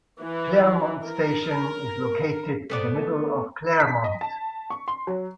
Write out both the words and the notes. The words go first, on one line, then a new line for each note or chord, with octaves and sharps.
Claremont station is located in the middle of Claremont.
E3
A#4
A3 B3 D5
B6
D#5
A5
C#6
C6
F#3